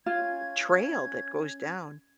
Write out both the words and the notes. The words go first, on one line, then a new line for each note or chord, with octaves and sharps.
trail that goes down,
C#4 F4 G#6